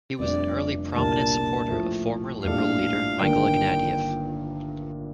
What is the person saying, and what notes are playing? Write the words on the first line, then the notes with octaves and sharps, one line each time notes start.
He was an early prominent supporter of former Liberal leader Michael Ignatieff.
F1 F2 C3 G3 D4 D5
C2 A#2 G3 A#3 D4 A5
A2 F3 A3
A#1 A2 G3 D4 A4 F5
G1 G2 D#3 A#3 D4 G5